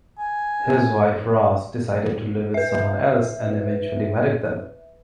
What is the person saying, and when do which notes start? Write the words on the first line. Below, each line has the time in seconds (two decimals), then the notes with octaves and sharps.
His wife Ros decided to live with someone else and eventually married them.
0.19 G#5
2.54 B4 E5